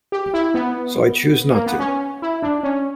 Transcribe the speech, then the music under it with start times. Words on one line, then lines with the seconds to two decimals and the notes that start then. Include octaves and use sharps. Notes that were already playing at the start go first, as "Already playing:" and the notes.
So I choose not to.
0.12 G4
0.34 E4
0.54 B3
1.54 A#3
1.66 B3
1.79 C#4
2.22 E4
2.42 D4
2.63 C#4